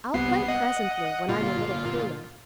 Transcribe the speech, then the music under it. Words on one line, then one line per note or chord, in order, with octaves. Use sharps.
'I'll play presently, when I'm a little cooler.
C2 B3 C7
D#5 F#5
G1 A#2 F4